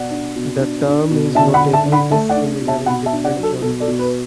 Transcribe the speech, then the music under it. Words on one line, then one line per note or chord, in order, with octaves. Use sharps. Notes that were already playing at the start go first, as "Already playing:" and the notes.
The term is notably dissimilar in different genres.
Already playing: B2 D5 F#5
D4
B2
D4
D4
B2
D3 E5 A5
F#5 B5
D3
E5 A5
D3
F#5 B5
A3 E5 A5
D5 F#5
D4
B2
E5 A5
B2 F#5 B5
E5 A5
D4
D5 F#5
F#3
A4
B2 A4
A4 D5
B2
B4